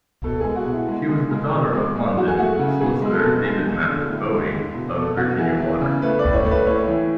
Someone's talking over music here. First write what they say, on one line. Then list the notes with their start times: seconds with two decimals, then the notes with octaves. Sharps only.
She was the daughter of London solicitor David Mather Bowie of Virginia Water.
0.24 B2 A4
0.40 G#3 G#4
0.55 F#4
0.66 B2
0.72 E4
0.88 G#3
1.09 G#3
1.31 G#3
1.52 B2
1.73 G#3
1.96 G#3
2.17 F#3 F#4
2.27 G#4
2.38 A3 F#4
2.59 C#3
2.80 B2 G#4
3.02 G#3
3.14 A4
3.24 B2
3.45 G#3
3.66 G#3
3.88 D3
4.09 A2
4.31 G#3
4.53 G#3
4.74 B2
4.95 B2 A4
5.17 B2 F#4
5.38 E3 G#4
5.60 E3
5.81 C#3
6.02 A3 B4
6.19 D5
6.24 A2
6.34 C#5
6.45 A3
6.51 B4
6.67 A2 C#5
6.88 E3